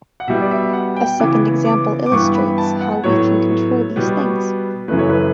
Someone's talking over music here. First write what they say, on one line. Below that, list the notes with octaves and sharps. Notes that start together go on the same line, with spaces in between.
A second example illustrates how we can control these things.
F#5
B2 G3 B3 E5
D5
E5
F#5
G5
C#3 E3 B3 D6
D6
D6
G2 E3 B3 C#6
B5
A5
F#5
A2 F#3 B3 C#5
B2 G3 B3
F#2 C#3 E3 A3 B4
C#5
B4